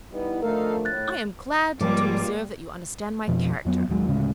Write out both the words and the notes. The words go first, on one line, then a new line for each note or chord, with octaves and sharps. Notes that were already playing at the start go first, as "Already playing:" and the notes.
'I am glad to observe that you understand my character.
G3 B3 D#4 E4
D3 F3 A3 D#4 A4 A#4 F5
A2 F#6 A6
C#2 G#2 F3 G3 A#3 F4 D6
F2 B2 F3
F2 F#3 B3
A#1 D#2 F#3 G#3
D2 A2 C#3 G#3